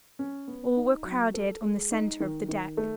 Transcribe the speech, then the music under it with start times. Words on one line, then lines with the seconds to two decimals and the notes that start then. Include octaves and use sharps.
All were crowded on the centre of the deck.
0.19 C#4
0.48 B3
0.77 D#4
1.05 F#3
1.34 A4
1.62 G#3
1.92 D#4
2.20 D#3
2.49 D#3
2.77 A3